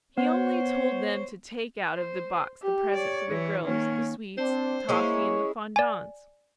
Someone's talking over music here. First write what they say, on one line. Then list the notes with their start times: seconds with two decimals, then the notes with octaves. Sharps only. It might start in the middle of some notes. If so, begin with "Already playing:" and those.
He only told them to take out of the box the presents for the girls, the sweets, the toffee and the fondants.
0.18 B3 C5 C#5
1.94 C5
2.62 G4
2.94 C#5 D5
3.29 E3
3.64 D#3 A#3 C#4
4.38 C4 D4 C5
4.89 G#3 A#3 C#4 E4 C#5
5.76 D5 G#5